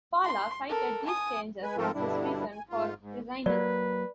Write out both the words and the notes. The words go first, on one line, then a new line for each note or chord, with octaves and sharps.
Fallaw cited these changes as his reason for resigning.
C6
A4 A#4
G#5 D#6
G#3 B4 G#5
G#2 F3 C4 F4 A4 A#4
G2 B2 D3 G3 D4 E4
G#5
G#2 F4
G#2
F#3 A#3 B4 D5